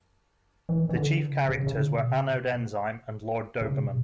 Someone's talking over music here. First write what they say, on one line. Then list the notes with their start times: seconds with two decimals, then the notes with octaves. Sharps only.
The chief characters were Anode Enzyme and Lord Doberman.
0.69 E3
0.89 E3
0.96 D3
1.22 C#3
1.49 C#3
1.67 C#3
1.76 D3
1.92 B2
2.02 C#3
2.29 B2
3.61 C#3
3.79 B2